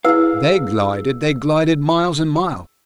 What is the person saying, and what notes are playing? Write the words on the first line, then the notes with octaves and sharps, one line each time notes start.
They glided--they glided miles and miles.
E4 G#4 B4 F5 E6